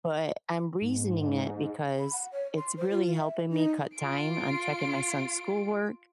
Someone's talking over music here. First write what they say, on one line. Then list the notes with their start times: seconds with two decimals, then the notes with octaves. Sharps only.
but I'm reasoning it because it's really helping me cut time on checking my son's schoolwork.
0.82 G#2
1.99 B5
2.13 F#5
2.32 C#5
2.57 C6
2.77 C5
2.90 F4
3.16 E5
3.50 D#4
3.97 F4 D7